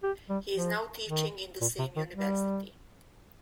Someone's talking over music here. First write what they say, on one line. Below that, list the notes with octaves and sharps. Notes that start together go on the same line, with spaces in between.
He is now teaching in the same university.
G4
G3
F3
D#3
A#2
C3
D#3
G3